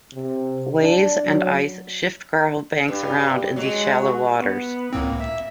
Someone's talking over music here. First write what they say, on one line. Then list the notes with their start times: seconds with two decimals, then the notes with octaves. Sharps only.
Waves and ice shift gravel banks around in these shallow waters.
0.14 C3
0.80 D4
1.26 F#3
2.88 G2
3.56 F#3 G#3
4.00 F#4
4.39 B3
4.93 C#2 A2 A#3 C4
5.19 E5